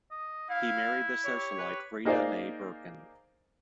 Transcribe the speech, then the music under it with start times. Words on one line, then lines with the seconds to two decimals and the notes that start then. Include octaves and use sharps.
He married the socialite Freda May Birkin.
0.11 D#5
0.50 E4 F5
1.26 G4 C#5
1.59 B4
2.05 A#3 D#4 G#4 C5 D5 F5